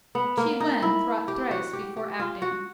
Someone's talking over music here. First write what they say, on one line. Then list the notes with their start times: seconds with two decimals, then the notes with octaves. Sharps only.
Chi Wen thought thrice before acting.
0.15 B3
0.37 A#3
0.60 D#4
0.82 E4
1.28 G4
1.51 F#4
1.73 G4
1.97 G4
2.19 F4
2.42 F#4